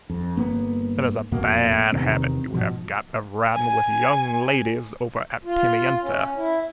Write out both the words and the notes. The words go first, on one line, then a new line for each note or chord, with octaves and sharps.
That is a bad habit you have got of riding with young ladies over at Pimienta.
F2
G1 A#3 B3
E1 F2 B2 A#3
E2 C3 D#3 C4
G#2 B2 F3
G#5
F4
C#4
E4